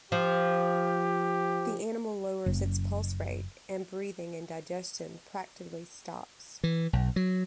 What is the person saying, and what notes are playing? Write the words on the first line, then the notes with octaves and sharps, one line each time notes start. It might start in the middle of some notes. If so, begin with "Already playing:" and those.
The animal lowers its pulse rate and breathing, and digestion practically stops.
F3 G4
F#1
E3
B1
F#3